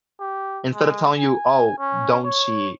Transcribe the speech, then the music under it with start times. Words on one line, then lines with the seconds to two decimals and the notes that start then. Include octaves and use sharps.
instead of telling you, "Oh, don't cheat,"
0.20 G4
0.74 G#3
1.18 G#5
1.79 C#4
2.25 C#5